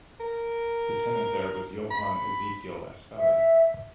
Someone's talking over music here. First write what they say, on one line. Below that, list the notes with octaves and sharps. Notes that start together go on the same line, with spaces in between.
The tenant there was Johan Ezekiel Aspelin.
A#4
B5
E5